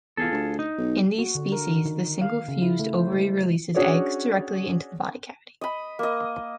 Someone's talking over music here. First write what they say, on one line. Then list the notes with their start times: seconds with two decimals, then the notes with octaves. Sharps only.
In these species, the single fused ovary releases eggs directly into the body cavity.
0.17 E2 F4 G#4 A4
0.31 D2
0.59 D#4
0.78 B1
1.18 F#4
1.35 D3
1.52 A#4
1.86 D#3
2.21 F5
2.48 C#3
2.62 E4
2.79 A3
2.94 C5
3.12 G#3
3.75 C#4 D4 F#4 G#4 C#5 D5
5.61 D#5 B5
5.99 A#3 D#5